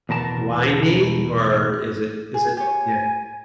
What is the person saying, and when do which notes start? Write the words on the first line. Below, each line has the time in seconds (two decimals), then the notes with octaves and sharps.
Winding, or is it is it Yeah.
0.09 E2 B2 A#4 A5
2.34 G#4
2.57 G4 C#5 G#5